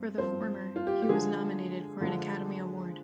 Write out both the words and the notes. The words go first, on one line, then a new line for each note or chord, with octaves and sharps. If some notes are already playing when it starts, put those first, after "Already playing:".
For the former, he was nominated for an Academy Award.
Already playing: G2 C4
G2 F3 C4 C5
F4
G4
G4
D3 F3 G#3 D4 G#4
D3 F3 G#3 D4